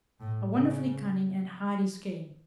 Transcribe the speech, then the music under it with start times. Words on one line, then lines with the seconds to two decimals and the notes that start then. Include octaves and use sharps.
A wonderfully cunning and hardy scheme!
0.20 A2
0.54 C#3